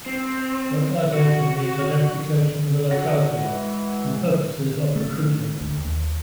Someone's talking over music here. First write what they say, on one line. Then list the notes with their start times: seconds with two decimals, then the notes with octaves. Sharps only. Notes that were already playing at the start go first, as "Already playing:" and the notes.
Localization means identification with a locality for the purposes of recruiting.
0.06 C4
1.14 F#4
2.91 F#4 A4 F#5 A#6
3.40 E3 G#3
4.96 A3
5.61 D2
5.77 D#2